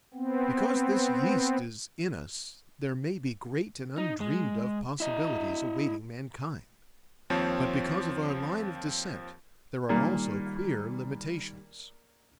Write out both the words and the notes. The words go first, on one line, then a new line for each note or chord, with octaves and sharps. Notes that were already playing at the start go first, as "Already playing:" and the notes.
Because this yeast is in us there may be great and undreamed of possibilities awaiting mankind; but because of our line of descent there are also queer limitations.
B3 C4
D#4
G#3
E4 D#5
D#2 F3 C4 C#5 A5
A#2 D#3 G3 A#3